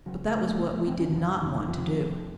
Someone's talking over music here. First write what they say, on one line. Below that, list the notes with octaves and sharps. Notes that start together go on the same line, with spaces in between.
But that was what we did not want to do.
C#3 F#3
F1 A3
A#3
A3
F1 A#3
A3
F1 C4
C#4
F1 F3
F1 D#3
D#3
F2 F3
F1